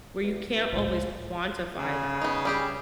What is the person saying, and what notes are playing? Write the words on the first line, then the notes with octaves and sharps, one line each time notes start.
where you can't always quantify that
E2
E3
C#2 A2 F3
C#3
B3 D#4
G3 G4 G#4